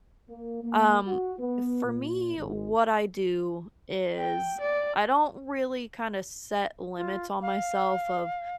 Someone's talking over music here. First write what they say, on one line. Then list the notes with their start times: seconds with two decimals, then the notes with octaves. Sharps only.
Um, for me, what I do is I don't really kinda set limits on myself of,
0.30 A#3
0.63 A#3
1.06 F#4
1.38 B3
1.85 A#2
2.37 G#1
4.18 G5
4.61 D5
6.98 F4
7.42 F5